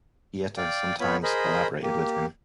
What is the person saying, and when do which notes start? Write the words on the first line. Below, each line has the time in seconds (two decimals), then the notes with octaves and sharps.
Pieter sometimes collaborated with him.
0.57 D5 F5 G5
1.00 B3 F4 C#5 B5
1.23 G#4 A#4 C5 D#5 B5
1.83 A#3 G4